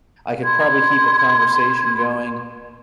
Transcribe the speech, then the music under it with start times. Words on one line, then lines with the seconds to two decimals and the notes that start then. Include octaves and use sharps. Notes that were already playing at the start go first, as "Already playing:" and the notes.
I could probably keep a conversation going,
0.44 B5 C6 G#6